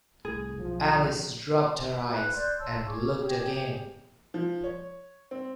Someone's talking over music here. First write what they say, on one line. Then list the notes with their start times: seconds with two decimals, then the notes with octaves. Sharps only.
Alice rubbed her eyes, and looked again.
0.25 C2 A2 G#4
0.59 B1 F3
1.72 G#5
2.13 B4 B5 F#6
2.33 D5 C6 F#6 G6
2.59 C#5 A5 C6 E6
2.86 G#4 C#6 D6
3.17 G4 G#4 C#5
4.34 F3
4.64 C#5
5.31 C4